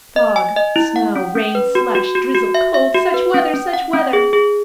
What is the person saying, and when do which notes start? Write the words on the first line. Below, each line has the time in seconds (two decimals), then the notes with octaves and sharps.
Fog, snow, rain, slush, drizzle, cold--such weather! such weather!
0.16 D#5
0.36 G#5
0.56 D#5
0.76 E4
0.96 F#5
1.16 C#4
1.35 C#4
1.55 B4
1.75 F#4
1.95 F#4
2.15 F#4
2.35 F#4
2.55 E5
2.74 E5
2.94 F#4
3.14 B4
3.34 C#4
3.54 C#4
3.74 F#5
3.93 C#4
4.13 G#4
4.33 G#4